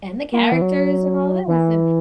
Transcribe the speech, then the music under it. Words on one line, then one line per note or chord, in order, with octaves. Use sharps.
And, the characters and all this, and
A#3
E3
F#3
E3